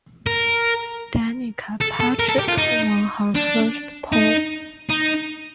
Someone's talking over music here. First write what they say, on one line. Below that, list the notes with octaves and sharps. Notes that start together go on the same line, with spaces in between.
Danica Patrick won her first pole.
A#4
A4
A4
A#4
A4
G4
F4
D#4
D4
D#4
D#4